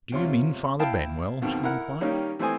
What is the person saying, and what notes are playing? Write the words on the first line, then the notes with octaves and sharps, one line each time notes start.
"Do you mean Father Benwell?" she inquired.
E2 C3 C#4 F4 C6
E4 F5 G5 A5
F2 B2 D#3
E4 A#4 F#5
D#3 G3 A#3 C#4 D#4
E3 A3 C4 C5 G#5 D#6